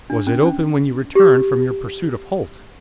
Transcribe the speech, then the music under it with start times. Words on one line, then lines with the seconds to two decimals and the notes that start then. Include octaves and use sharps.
'Was it open when you returned from your pursuit of Holt?'
0.10 D4
0.27 C#4
0.41 D4
0.45 C#4
1.15 G4